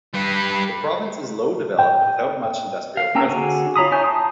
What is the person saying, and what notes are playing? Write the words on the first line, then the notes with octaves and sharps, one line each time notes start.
The province is low developed without much industrial presence.
G3 B4
G5
F5
A#3 C#4 G5 A#5 E6
D3 D4 F#4 G#4 G#5
F4 C#5 A#5 B5 D#6
E4 C#5 G#5 G6
A5 A#5 C6 D#6